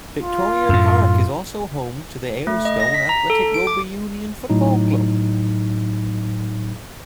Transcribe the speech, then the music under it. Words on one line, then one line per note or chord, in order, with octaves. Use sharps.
Victoria Park is also home to Aylestone Athletic Rugby Union Football Club.
F4
F#2 A2
A3
D#5
A#6
B6
A#5
A4
D7
D6
A2 F#3 D#4